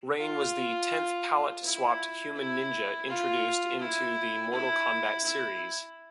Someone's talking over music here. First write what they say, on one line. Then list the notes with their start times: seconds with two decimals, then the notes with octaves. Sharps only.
Rain was the tenth palette-swapped human ninja introduced into the "Mortal Kombat" series.
0.18 F4
1.63 E4
2.35 E4
3.08 F4
3.79 E4
4.52 E4
5.25 E4